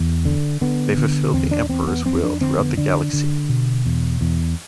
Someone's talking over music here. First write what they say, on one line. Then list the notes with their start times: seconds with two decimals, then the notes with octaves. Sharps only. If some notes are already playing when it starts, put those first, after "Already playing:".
They fulfilled the Emperor's will throughout the galaxy.
Already playing: E2
0.25 D3
0.61 D3 B3
0.97 D3
1.33 E2 C4
1.51 D4
1.69 E2 C4
1.87 B3
2.05 F2 C4
2.23 D4
2.41 D3 C4
2.59 B3
2.78 D3 D4
3.13 D3
3.49 B2
3.86 E2
4.21 E2